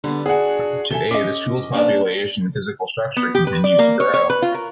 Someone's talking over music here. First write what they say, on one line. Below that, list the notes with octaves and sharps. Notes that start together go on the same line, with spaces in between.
Today, the school's population and physical structure continues to grow.
D3 G3 B3
D4 F#4 G#4 F#5
A4 E5 G#5 G7
C#4 D#5 D6
A#3 C#4 D4
B3
G4
B4
D5
A#3
C#5
C#5
B4
F4
A#4